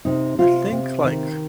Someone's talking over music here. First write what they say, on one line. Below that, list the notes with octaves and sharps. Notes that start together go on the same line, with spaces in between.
I think, like,
C3 D#4
C3 F4
C3
D#3